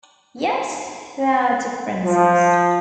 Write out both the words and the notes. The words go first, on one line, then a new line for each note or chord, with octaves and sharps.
Yet, there are differences.
F3